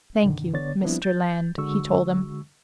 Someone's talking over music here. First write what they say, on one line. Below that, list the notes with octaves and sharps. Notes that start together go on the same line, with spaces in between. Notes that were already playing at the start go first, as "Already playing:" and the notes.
"Thank you, Mr. Land," he told him.
F#2 B2 D3 D#3
D3 B3 C#5 D5 A6
F3 G3 B3 C4 D4 E4
G6 A6
D3 G#3 F#4 C#6 E6